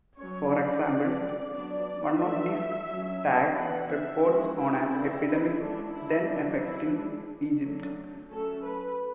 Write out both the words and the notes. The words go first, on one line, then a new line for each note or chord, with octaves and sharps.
For example, one of these tags reports on an epidemic then affecting Egypt.
F#3 C#4 C#5
D5
G#3 D4
F#3 B3 D4 D5
E3 A3 D4 E5
F#3 C#4
E3 B3 D4 F#5
E5
G#3 C#4 F#4
E4
D3 A3 D4
D3 G#3 C#4 D4
E4
F#3 C#4 D4
E4
G#3 D4
F#3 A3 D4
F#3 A3 C#4 A4
B4